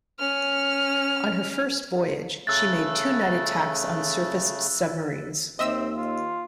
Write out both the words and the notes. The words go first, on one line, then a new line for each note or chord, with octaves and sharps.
On her first voyage, she made two night attacks on surfaced submarines.
C#4 F6
C#3 A3 E6 F#6 A6
D#2 C4 D#5 E5 E6
F4